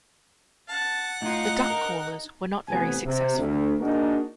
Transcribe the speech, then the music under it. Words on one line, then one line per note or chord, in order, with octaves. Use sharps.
The duck callers were not very successful.
F#5 A5
A2 D#4 F4
A#4
A1 C3 B3 G#5
C3
D2
A#3 D4 D#4 F#4 G#4 A#4